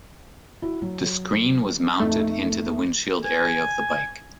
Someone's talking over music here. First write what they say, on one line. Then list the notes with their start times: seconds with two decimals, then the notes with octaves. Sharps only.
The screen was mounted into the windshield area of the bike.
0.62 E4 F#4
0.82 F#3
2.00 F2 A3 D#4
3.24 G#5